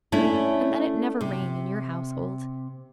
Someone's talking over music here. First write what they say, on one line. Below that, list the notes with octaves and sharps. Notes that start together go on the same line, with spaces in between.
And let it never rain in your household.
A3 C#4 D4 E4
C3